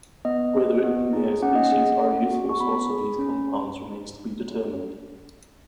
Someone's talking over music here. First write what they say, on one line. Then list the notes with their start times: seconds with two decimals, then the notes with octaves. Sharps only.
Whether "Ipomoea" species are a useful source of these compounds remains to be determined.
0.25 B3 D#5
0.54 G#4
0.84 B3
1.13 D#4 G#4
1.42 C#4 F#5
1.55 D#5
1.69 G#4 F#5
2.01 C#4
2.31 F#4
2.49 C#6
2.60 B3 B5
2.89 G#4
3.19 C#4